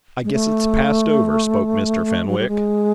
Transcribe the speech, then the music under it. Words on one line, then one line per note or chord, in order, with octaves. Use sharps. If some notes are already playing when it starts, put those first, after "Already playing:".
"I guess it's passed over," spoke Mr. Fenwick.
G#3
A3
F#3
G3
G#3